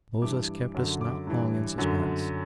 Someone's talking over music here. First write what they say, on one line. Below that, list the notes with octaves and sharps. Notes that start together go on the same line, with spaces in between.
Moses kept us not long in suspense.
G2 E3 D6
F#2 D3
D6
G2 E3
F#2 D3